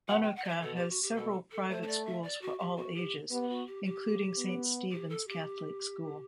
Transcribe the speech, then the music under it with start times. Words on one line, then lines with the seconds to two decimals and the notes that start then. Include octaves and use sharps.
Anoka has several private schools for all ages, including Saint Stephens Catholic School.
0.08 B2 F#5
0.22 G5
0.35 F#5
0.44 D5
0.48 E5
0.61 B2 A4
0.75 G4
0.89 F#4
1.02 G4
1.15 B2 A4
1.51 A4
1.69 A3 C5
1.82 C5
1.87 D5
2.05 E5
2.23 D5
2.41 F#4
2.58 G4
2.77 F#4
2.94 G4
3.30 B3 G4
3.49 F#4
3.66 G4
3.84 G4
4.37 B3
4.91 G4
5.09 A4
5.27 G4